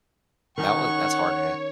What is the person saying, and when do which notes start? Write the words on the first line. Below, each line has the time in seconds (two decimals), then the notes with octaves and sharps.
that was that's hard, man.
0.58 D#3 C#4 D#4 C#5 F#5 C#6